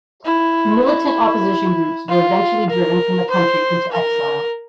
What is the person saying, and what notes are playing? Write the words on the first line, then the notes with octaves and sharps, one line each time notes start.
Militant opposition groups were eventually driven from the country into exile.
E4
E4
F4
A#4
C5
A#4